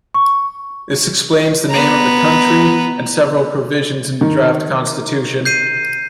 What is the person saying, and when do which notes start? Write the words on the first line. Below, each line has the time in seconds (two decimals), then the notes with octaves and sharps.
This explains the name of the country and several provisions in the draft constitution.
0.14 C#6
1.70 B3 A#5
4.21 D#3
5.45 G6 C7 D#7